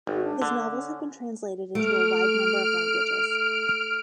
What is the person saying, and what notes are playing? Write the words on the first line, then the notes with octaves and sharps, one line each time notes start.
His novels have been translated into a wide number of languages.
G#1 F#4
D4
D3
C#4
A3 F6 D7